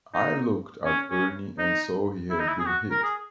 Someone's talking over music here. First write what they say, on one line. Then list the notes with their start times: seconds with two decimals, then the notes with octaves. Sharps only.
I looked at Ernie and saw he had been hit.
0.13 D#4
0.85 C#4
1.11 C#4
1.58 D#4
2.30 E4
2.39 D#4
2.48 E4
2.59 G#4
2.66 F#4
2.91 A#4
3.03 G#4